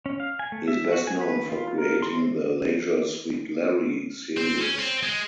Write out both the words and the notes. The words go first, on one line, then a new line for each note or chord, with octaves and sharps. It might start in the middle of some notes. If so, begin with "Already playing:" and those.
He is best known for creating the "Leisure Suit Larry" series.
C#4
F5
G#5
A3
E5
F#4
G#5
B4
F4
A#4
C6
C4
C4
C#4
C4
G#3